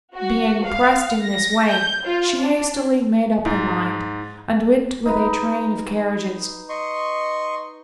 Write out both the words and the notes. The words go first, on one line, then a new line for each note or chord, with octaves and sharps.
Being pressed in this way, she hastily made up her mind, and went with a train of carriages.
F#4
F5
A#6
G6
F4
D4
G#2
D#4 B4
D#5 C6 C#6